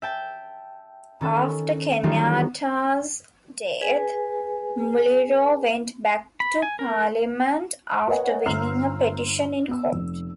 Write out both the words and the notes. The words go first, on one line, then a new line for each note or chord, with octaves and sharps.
After Kenyatta's death, Muliro went back to Parliament after winning a petition in court.
E5 G5 A5
D#3 C#4 A4
D#3 E3 F#3 G3 D#4 F4
G#4 B4 G#5
B5
G#5
A#4
A#4 B4 C#5 D#5 F#5 G#5
G1 C5 A#5 E6 F6 C7
B3 E6
F1